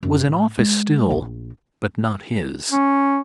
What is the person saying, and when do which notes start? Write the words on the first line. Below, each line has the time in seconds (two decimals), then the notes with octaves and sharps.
It was an office still, but not his.
0.03 F#2
0.27 A2
0.58 G#3
1.10 A#1
2.71 C#4